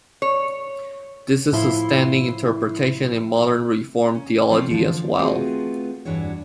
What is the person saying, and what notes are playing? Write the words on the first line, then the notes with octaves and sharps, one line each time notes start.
This is the standing interpretation in modern Reformed theology as well.
C#5
A2 F3 E4 C6
C#4
F3 G3 A3 A#3 C4 C#4
D3 E3 F3 A3
A3 B3 C4 F4 F#4 G#4
E2 G2 E3 D4 F#4 C#5